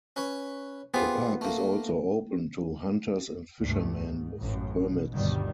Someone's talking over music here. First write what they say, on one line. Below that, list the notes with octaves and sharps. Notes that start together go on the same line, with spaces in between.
The park is also open to hunters and fishermen with permits.
C#4 B4 C#5
B3 F4 G4 G#4 C5
A3 A#3
D2 G2 C3 A3
G#2
A1 F#2
B2
G1 D2 G2 B2 D#3 G3